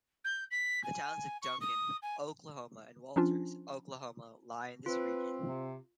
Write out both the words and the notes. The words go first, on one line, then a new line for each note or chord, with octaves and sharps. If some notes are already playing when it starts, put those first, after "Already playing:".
The towns of Duncan, Oklahoma and Walters, Oklahoma, lie in this region.
G6
B6
G#5
C#6
D#6
G#5
F3 C#4 D4 F4
C4 F4 B4
C3